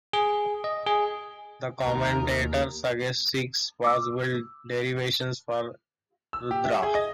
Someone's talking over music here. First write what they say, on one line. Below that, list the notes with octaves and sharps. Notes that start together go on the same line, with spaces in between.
The commentator suggests six possible derivations for "rudra".
G#4
D#5
G#4
D#2 A#4
D6 E6
E6
G4
E5
G#4
D#5